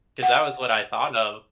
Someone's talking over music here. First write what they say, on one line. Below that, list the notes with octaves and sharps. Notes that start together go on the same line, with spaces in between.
'Cause that was what I thought of
F#5